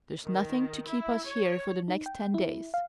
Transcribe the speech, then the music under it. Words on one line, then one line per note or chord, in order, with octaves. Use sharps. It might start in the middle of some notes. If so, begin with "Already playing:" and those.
There's nothing to keep us here for the next ten days.
D#3
E4
C#5
D#4
G5
E4
F5